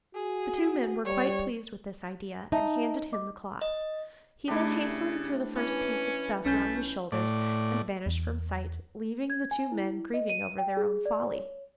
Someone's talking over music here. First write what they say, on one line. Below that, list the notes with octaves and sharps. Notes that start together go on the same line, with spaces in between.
The two men were quite pleased with this idea, and handed him the cloth. He then hastily threw the first piece of stuff round his shoulders and vanished from sight, leaving the two men grieving over their own folly.
F#4 G#4
G3 C#5
D#4 E5 A5 A#5
D#5 D6
D#5
C#3 A3 D4 E4 G4
E3 C#4
B1 A3 C#4 G6
A2 D5
E2
G#6
G#5
E4
D#5
D#7
G5
G#4
D5
C#5